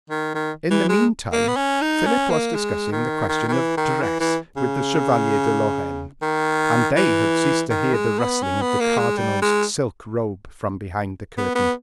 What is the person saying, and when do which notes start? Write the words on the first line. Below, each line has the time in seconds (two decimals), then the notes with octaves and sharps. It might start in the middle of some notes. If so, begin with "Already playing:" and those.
In the meantime Philip was discussing the questions of dress with the Chevalier de Lorraine, and they had ceased to hear the rustling of the cardinal's silk robe from behind the curtain.
0.09 D#3
0.35 D#3
0.70 E3
0.89 G#3
1.32 A#3
1.48 B3
1.56 C#4
1.81 D#4
2.06 C#4
2.30 A#3
2.55 G#3
2.92 D#3
3.29 D#3
3.48 D#3
3.52 E3
3.77 D#3
4.02 E3
4.20 E3
4.56 C#3
6.22 D#3
6.96 E3
7.70 D#3
7.94 G#3
8.19 B3
8.43 C#4
8.62 B3
8.80 A#3
8.98 G#3
9.17 G3
9.42 G#3
11.37 B3
11.55 B3